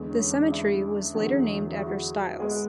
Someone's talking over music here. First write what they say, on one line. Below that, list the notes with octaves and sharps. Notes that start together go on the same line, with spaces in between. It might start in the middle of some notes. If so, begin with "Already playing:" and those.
The cemetery was later named after Stiles.
Already playing: E2 D3 G#3 B3
C#4
D4
E4
E2 D3 F#3 A3
E4
F#4
G#3 B3 G#4